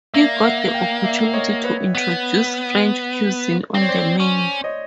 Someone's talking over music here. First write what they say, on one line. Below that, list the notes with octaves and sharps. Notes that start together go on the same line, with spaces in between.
He got the opportunity to introduce French cuisine on the menu.
A#3 D5 E5
E5 F#5
F5 G5
D5 E5
E5
C#5 D#5
B4 C#5
B3
C4 D5
C#5
C5 D5
C#4
C#5 D#5